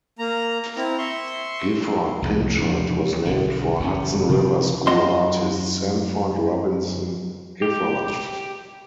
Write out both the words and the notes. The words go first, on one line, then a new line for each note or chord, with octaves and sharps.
Gifford Pinchot was named for Hudson River School artist Sanford Robinson Gifford.
A#3 A#5
C4 E4 A#5
E5 C6 C#6
C2 F2 A#2
E2 C3 F3 D4
B1 D3 D#3
F#1 D#3 E3 C#4
C3 D#3 F3 C4
F#2 F#4 D#5 C6
G4